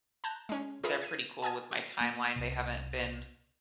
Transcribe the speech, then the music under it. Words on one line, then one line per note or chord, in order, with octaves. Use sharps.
they're pretty cool with my timeline, they haven't been
A5 A#5 F#6 G6
G#3 C#4
F4 G#4 A#4 B4 E5
G#6 B6 D#7
G#5 A5 D#6 F6 G#6
F#4
A#3
C2 C3